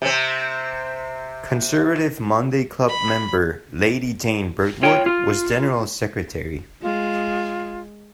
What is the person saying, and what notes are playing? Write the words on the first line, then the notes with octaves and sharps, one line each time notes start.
Conservative Monday Club member Lady Jane Birdwood was General Secretary.
C3 C4
B5
F4 C#5 G5
F4
G#3 F4